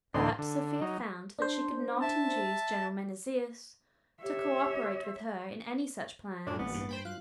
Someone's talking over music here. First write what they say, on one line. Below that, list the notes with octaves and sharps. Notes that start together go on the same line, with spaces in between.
But Sophia found that she could not induce General Menesius to co-operate with her in any such plans.
D2 A2 E3 D4 D#4 C6
D3
F#3 D#4
D4 C5
E5 A5
G4 C#5 E5
F#2 A2 D4
A1 A#3 B3 B4 A6
G2
C5 G5 B5
F#3 F4 F5 F#6